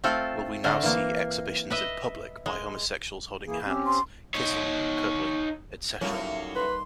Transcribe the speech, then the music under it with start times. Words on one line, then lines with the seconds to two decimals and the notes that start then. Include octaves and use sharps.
Will we now see exhibitions in public by homosexuals holding hands, kissing, cuddling, etc?
0.04 A3 C4 F4 A4
0.64 D3 A3 A#4
0.83 E3 A#3
1.70 B4 D#5 E5
2.46 G#3
3.46 E3 A#3 G#4
3.66 C4 C#4 G4
3.86 C6
4.34 D#4 C#5
6.01 A2 F#3 G3 A#3 C#4 D#4
6.55 B4 C6